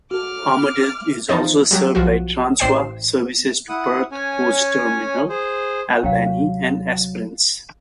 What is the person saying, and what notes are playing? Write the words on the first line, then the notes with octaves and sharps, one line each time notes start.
Armadale is also served by Transwa services to Perth Coach Terminal, Albany and Esperance.
F#4 A4 D6 F6
E2 F3 D#4 A6
F#3 G3
B1 F3 F#4
A1 C5 D5 G5 C7 E7
E4 F#5 D#6
C#4 C#5 G#5
G#4 C5
D#2 C3 F#3 C#4 G4 F5